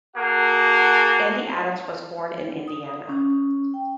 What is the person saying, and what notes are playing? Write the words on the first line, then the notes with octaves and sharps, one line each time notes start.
Andy Adams was born in Indiana.
A#3 F#4 G#4 A4 F#5
D#6
C#4
G5